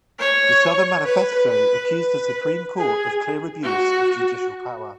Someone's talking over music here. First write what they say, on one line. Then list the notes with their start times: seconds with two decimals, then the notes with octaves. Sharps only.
The Southern Manifesto accused the Supreme Court of clear abuse of judicial power.
0.19 C#5
1.05 B4
1.48 B4
1.92 B4
2.78 G#4
3.64 F#4